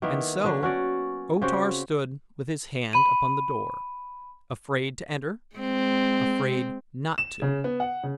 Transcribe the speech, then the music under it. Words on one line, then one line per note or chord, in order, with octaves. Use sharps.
And so O-Tar stood with his hand upon the door--afraid to enter; afraid not to.
D#3 A#3 B3 E4
D3 F#3 D4
C#4 F#4 D5
C#3 C4 F#4 G4
B5 D#7
G#3 C4
E7
C#3
B3
F#5
C#3